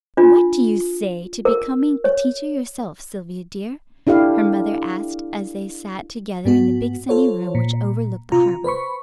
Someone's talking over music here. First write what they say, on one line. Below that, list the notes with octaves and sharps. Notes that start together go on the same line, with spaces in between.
"What do you say to becoming a teacher yourself, Sylvia dear?" her mother asked, as they sat together in the big sunny room which overlooked the harbor.
D4 F4
A#4
C#5
D4 E4 G4 A4 F5
G#2 B3 F#4
F4 A4 C5 C#5
A#2
C3 F4 A#5
B4 C5 B5 C#6